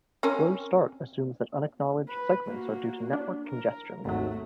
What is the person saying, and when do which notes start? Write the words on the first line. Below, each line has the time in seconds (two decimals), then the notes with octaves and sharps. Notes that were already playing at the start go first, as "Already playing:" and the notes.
Slow start assumes that unacknowledged segments are due to network congestion.
0.23 C4 C#4 A#4
2.09 B4
2.46 A#3 F#4
3.13 D4
3.47 A#4
4.05 G#1 D#2 F#3 A3 F#4